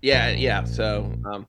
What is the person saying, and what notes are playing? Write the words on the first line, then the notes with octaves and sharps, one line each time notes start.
Yeah, eh yeah, so, um
A#1